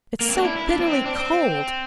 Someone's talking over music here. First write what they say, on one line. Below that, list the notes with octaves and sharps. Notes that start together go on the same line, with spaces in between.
It's so bitterly cold.
A#3
C4
D4
E4
E4
D4
C4
D4
C4